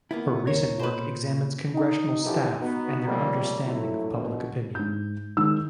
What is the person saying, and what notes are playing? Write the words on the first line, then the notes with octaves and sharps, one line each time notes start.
Her recent work examines Congressional staff and their understanding of public opinion.
A#3 B3 E4
D#2 A#4 C#5
A#2 B4 C5
D#4
F#2 E3 F3 G4 A4 B4
B3 D#4 F#4
C#2 F3 G3 A3 A#3
A#1 A2 F#3 A3 E4
A#1 B2
G#2 G6
D#3 G#3 E6